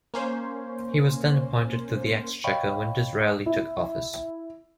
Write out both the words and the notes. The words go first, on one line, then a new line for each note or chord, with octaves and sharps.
He was then appointed to the Exchequer when Disraeli took office.
A#3 C#4 C5
C#5 D#5 F5 G5 B5 C#6
E4